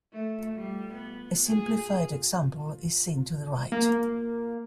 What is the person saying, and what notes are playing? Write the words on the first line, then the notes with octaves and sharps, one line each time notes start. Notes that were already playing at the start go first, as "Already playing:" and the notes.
A simplified example is seen to the right.
A3
G3
B3
G#4
A#3